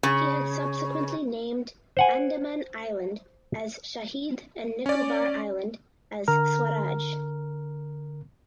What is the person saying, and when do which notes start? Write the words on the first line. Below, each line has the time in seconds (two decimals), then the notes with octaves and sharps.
He had subsequently named Andaman Island as Shaheed and Nicobar Island as Swaraj.
0.03 C#3
1.97 C5 F#5 G#5
4.86 C#4 D5
6.28 D3 A#4 A#5 F6